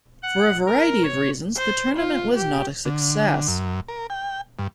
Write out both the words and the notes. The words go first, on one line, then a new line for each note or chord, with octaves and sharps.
For a variety of reasons, the tournament was not a success.
F#5
A#4
C#5
C5
F4
G4
D3
F#2
A#4
G5
G2